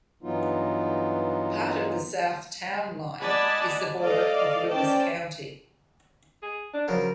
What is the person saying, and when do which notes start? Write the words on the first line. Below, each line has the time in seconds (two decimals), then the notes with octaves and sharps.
Part of the south town line is the border of Lewis County.
0.22 G2 E3 F#3 B3 D#4 F4
3.20 D5 D#5 F#5 G#5 A5 B5
4.00 A4 D5 D#5 F5
4.69 C#4 C5 D5 G5 A5
6.42 G#4
6.74 D4
6.88 C#3 F3 F#3 A#4